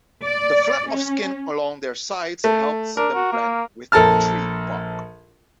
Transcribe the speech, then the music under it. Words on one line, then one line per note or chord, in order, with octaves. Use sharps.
The flaps of skin along their sides help them blend with tree bark.
D5
C#4
A3
D4 A#4
F#4
A#3
A#1 A4 A#4 A5 F6